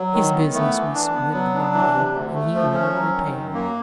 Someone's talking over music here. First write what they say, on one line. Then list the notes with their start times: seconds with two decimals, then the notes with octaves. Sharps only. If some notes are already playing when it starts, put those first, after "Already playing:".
His business was with the body, and he ordered repairs.
Already playing: F#3
0.13 D#3
0.34 B3
0.54 A3
0.74 E3
0.94 D4
1.14 B3
1.33 F#3
1.54 D4
1.74 E3
1.94 C3
2.14 D2
2.34 A3
2.54 F3
2.74 C#4
2.94 F#3
3.14 D#3
3.34 F#2
3.54 A#3